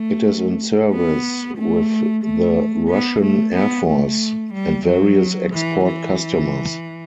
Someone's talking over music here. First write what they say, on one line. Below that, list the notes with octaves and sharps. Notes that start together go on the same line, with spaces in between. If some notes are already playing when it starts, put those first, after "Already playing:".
It is in service with the Russian Air Force and various export customers.
Already playing: A3
B3
A3
A3
B3
A3
B3
A3
G3
F#3
E3
E3